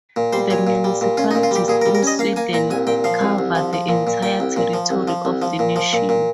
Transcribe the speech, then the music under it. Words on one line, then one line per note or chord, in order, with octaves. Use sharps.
The municipalities in Sweden cover the entire territory of the nation.
A#2
G3 C5
A#2 C#5
A#2
G3
A#2
C#4 F4
D#4
A#2
F4
G3 G4
A#2 G#4
A#4
G3
A#4
C#4 D#5
A#3 F5
A#3 G#5
A#2 A#5
C2 G#5
A#2 G5
F3 F5
C2
C2
F3
F3
A#2
A#2
A#2 G5
C2
A#2
F3
C2
F3
C2
F3
A#2
F3
A#2
A#2